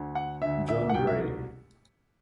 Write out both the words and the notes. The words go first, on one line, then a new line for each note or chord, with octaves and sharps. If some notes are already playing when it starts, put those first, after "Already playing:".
John Gray.
Already playing: D2 D3
F#5
D2 D3 E5
E5
F#5
C2 B2 G5
E5